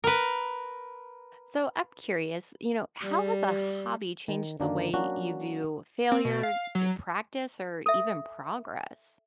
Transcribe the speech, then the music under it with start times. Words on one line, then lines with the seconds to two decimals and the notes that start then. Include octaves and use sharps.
So I'm curious, you know, how has a hobby changed the way you view failure, d practice, or even progress?
0.04 A#4 B4
3.03 G3
4.28 D#3
4.60 F#2 D3 D#3 A#3 D4
4.94 F#3 A#3 C#4 D4 F#4
6.12 C4
6.25 B2
6.43 F5
6.75 F#3
7.86 A4 E5